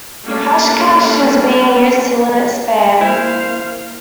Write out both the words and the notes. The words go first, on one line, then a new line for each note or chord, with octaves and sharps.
Hashcash is being used to limit spam.
G3 A3 A#3 C#4 D4
A#3 E4 C5 F5